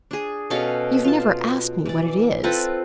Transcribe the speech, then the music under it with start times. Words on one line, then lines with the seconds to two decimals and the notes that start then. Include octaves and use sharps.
You've never asked me what it is.
0.11 D4 G#4
0.50 B2 C#4 A4 F5
1.05 F4 A5
1.86 E3 D5
2.44 C4 F4 A4 B4